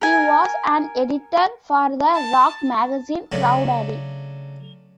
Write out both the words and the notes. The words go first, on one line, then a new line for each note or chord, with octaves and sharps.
He was an editor for the rock magazine Crawdaddy!
A#4 G#5
A5
C#3 F#3 A3 D4